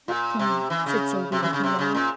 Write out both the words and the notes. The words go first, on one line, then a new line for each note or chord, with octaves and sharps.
"What thing?" said Sylvie, looking round.
A#2
C3
E3
C#3
C3
E3
C#3
C3
C#3
A#2